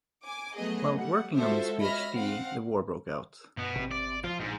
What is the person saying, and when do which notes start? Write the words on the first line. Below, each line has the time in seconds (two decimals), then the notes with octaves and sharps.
While working on his PhD the war broke out.
0.25 G#5 D6
0.57 F#3 A3 B3 G#4 D#5
0.96 G3 F#5
1.35 G#3 F4 F#4 A4 C5 E5
1.79 C#5 D#5 E5 B5 F6 A#6
2.13 C4 F5 F#5
3.57 G2 B2 B3
3.76 G#1 C3 C4
3.91 D5
4.24 F3 F4
4.40 A#1 G#2